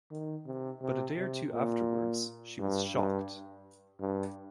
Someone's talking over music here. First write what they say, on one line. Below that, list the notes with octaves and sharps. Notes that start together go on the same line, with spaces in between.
But a day or two afterwards she was shocked.
D#3
C3
C3
C3
A#2
G2
G2
G2